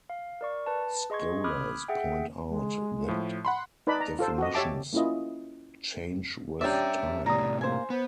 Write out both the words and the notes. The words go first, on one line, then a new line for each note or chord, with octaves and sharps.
Scholars point out that definitions change with time.
F5
A#4 D5 C#6
B4 A5
G#4 D#5 C6 C#6 G#6
B5 D6 D#6 F6 F#6 G#6
G#4 E5 F#5 G5
G#3
A2 F3
F#5 B5 C6
D#4 B4 D5 A5 B5
A#5
F4 A4 C5
F#4 D#5
G4 C#5 E5 A5 D6
A#3 C#4 E4 F4 D#5
G3 C#4 D4 D5 E5 G5 A#5
A2 C3 D5 A#5 D#6
A#3 C5 G#5
B3 C5